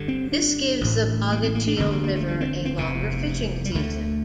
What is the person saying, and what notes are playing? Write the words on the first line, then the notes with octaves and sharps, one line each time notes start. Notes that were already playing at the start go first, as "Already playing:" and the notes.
This gives the Bogachiel River a longer fishing season.
Already playing: G1 G2 D3
C4
D4
A1 A2
A#3
C4
A#3
D4
E1 D2 D3 C4
A#3
A#3
A3
G3
C4
C4
F1 E2 C3
G3
D2 D3 A3